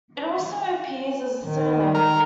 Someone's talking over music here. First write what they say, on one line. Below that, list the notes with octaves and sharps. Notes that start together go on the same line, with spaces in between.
It also appears as a surname.
D#3
A#4